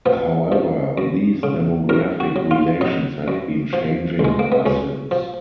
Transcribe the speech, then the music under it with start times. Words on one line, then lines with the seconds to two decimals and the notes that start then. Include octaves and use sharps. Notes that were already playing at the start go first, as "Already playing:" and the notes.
However, these demographic relations have been changing ever since.
0.06 F3 B3
0.52 F3
0.98 F#2
1.43 C#3
1.89 F#2 A#4
2.20 F#4
2.36 F#3
2.51 F4
2.81 F#3 D#4
3.28 F#2
3.73 F3
4.19 C#2
4.25 G#3
4.39 A#3
4.52 B3
4.66 C#2 C#4
5.11 F3